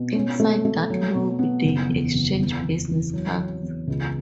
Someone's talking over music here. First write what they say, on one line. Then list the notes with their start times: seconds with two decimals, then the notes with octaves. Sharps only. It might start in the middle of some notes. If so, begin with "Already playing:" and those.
Inside that lobby they exchanged business cards.
Already playing: B2
0.15 C#4
0.40 A3
0.65 A3
0.90 F#3
1.15 B2
1.39 B3
1.65 F#1
1.89 E2
2.14 F#1
2.39 E2
2.63 E2
2.88 E3
3.13 F#3
3.38 F#3
3.63 E2
3.88 C#2